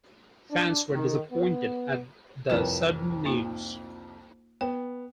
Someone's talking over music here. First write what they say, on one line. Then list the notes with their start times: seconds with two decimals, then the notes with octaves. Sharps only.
Fans were disappointed at the sudden news.
0.51 D4
0.94 D#3
1.31 B3
2.50 C2 F2 A#4 B4 C#5 E7
3.25 A#3 D#4 F4
4.61 B3 G5